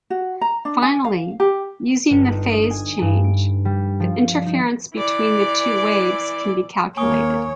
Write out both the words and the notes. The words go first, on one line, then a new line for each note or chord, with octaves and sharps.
Finally, using the phase change, the interference between the two waves can be calculated.
F#4
A#5
D4
G#5
F5
G4
G1
D#4
D#6
G#5
G2
D7
G3
F3
D#4
E3 D5
D#2 A#3 C#5 G#5 C#6 D#6